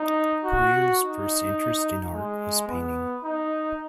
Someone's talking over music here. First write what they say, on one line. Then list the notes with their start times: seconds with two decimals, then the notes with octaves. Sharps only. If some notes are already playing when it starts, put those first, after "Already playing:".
Puiu's first interest in art was painting.
Already playing: D#4
0.44 F#4
1.00 D#4
2.13 G#3
2.68 B3
3.24 D#4